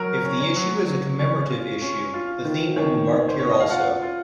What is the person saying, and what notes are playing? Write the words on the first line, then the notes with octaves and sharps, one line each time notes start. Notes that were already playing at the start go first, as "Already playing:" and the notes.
If the issue is a commemorative issue, the theme will be marked here also.
Already playing: F#3 A#4
C#4
C#5
F#3
F#3
C#4
F4
C#4
F4
D#3
D#3 C#5
D#3
C5
C#4 C#5
D#5
F5
F4 F#5
F4